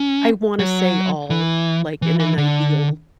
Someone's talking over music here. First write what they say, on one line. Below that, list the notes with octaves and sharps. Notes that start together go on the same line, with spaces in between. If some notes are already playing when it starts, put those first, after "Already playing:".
I wanna say all, like, in an ideal,
Already playing: C#4
F#3
E3
E3
E3
D3